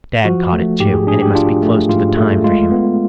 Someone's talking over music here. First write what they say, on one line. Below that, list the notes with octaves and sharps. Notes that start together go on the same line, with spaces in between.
Dad caught it, too, and it must be close to the time for him.
F3 F#4
A3
G#2 G4
G#4
D4 G#4
G4
D4 F4
A3
G#2 F4
A3
G#3 F4
B3